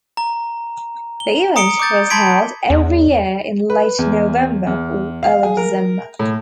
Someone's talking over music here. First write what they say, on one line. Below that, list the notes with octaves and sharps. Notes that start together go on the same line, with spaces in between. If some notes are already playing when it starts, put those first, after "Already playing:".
The event was held every year in late November or early December.
A#5
G7
A#5 D#6 C#7 D7 G7
D6 D#6 G6 A6
A5 B5 C6 G#6 B6 D7
E2
B4
E2
E2
F5
G#4
A#4
A2